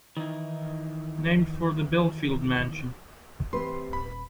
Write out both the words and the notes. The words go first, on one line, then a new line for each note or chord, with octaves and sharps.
Named for the Belfield Mansion.
D#3 E3 D#4 E4
C3 E3 A3 B4 C6
D#1 B5